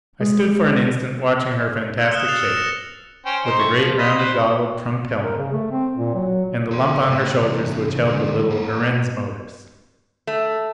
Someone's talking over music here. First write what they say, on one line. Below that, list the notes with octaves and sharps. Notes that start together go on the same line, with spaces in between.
I stood for an instant watching her fantastic shape, with the great rounded, goggled, trunked helmet and the lump on her shoulders which held the little Erentz motors.
G#3
E6 C#7
D#6 F6 F#6 E7 G7
F6 A6 C7 C#7 F7
E6 C#7 E7 G7
A#6
C#4 C5 G5
D#4 C5 C6
A3 C#6
F3
D#5 B5 C6
B4 C5
A#4
C#3
A3
C4
A#2
F#3
A4 C6
A2
C3 E3
D3 G#3
A#3 B4
A3